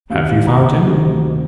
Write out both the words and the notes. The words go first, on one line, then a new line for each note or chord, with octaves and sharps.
"Have you found him?"
D2 C3 D#3 F5
A#5
D2 C3 D#3